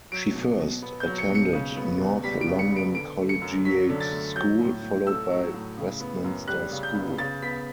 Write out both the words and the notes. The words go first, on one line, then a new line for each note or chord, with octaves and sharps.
She first attended North London Collegiate School followed by Westminster School.
F#3 D7
B2
B2
B3
G6
F#3
C#7
B2
C#7
C#3
B3
E2
G3 B6
D7
C#3
C#7
B3
D7
D3 D7
A3
C#7
F#2
F#3 B6
D3
A6
A3
F#3 G6
A2
A2
A3 E6
F#3
A2
C#3
B3
F#2
G3 F#6
C#3
G6
B3
C#3 A6
B3 B6